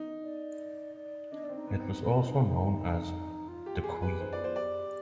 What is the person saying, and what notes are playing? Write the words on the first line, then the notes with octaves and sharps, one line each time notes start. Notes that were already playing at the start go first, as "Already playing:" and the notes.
It also was known as The Queen.
Already playing: D#4
D5
D5
D4 D#5
D5
C4
D#4
B3
C4
C4 F4
F4
D#4
D#4
F4
G4
G4 G#4
F4
G4 B4
D#4 C5
F4 D5
F4 C5
G4 D5